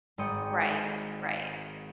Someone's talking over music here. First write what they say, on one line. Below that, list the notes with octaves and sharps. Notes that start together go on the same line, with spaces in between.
Right. Right.
G#1 G#2 D5 D#5 G5 C#7